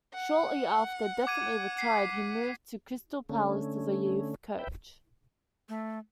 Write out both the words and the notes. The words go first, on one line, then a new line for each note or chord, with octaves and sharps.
Shortly after, definitely retired, he moved to Crystal Palace as a youth coach.
F#5
D6 G#6 D#7
B6 C7
D3 A3 C#4
B4 E5 G5
A3